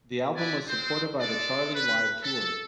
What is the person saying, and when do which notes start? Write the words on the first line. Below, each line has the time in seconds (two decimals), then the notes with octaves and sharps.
The album was supported by the Charli Live Tour.
0.36 E4 B4 D5 G#5
0.68 G#3 C4 C5
1.20 G#3 A4 D5
1.74 B4
2.23 A4